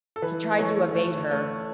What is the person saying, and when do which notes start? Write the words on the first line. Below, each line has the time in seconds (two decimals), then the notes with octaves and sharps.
He tried to evade her.
0.16 A4
0.22 E3 B4
0.59 A3 A4 C#5
0.95 A3
1.31 A3